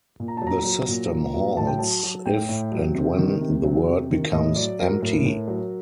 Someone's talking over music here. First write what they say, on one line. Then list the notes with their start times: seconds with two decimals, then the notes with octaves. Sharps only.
The system halts if and when the word becomes empty.
0.20 A#2
0.28 A#5
0.37 A5
0.42 F#3
0.47 A#5
0.65 F#3
0.88 A#2
1.12 A#2
1.34 F#3
1.57 A2 A5
1.67 G5
1.79 F#3 A5
2.03 F#3
2.26 A2 G5
2.49 A2
2.72 F#3
2.95 C3
3.18 D#3
3.40 C3
3.64 F#3
3.86 C3
4.10 D#3
4.33 A2 D#5
4.56 F#3 D5
4.80 F#3 A#4
5.02 A2 A#4
5.25 A2
5.48 F#3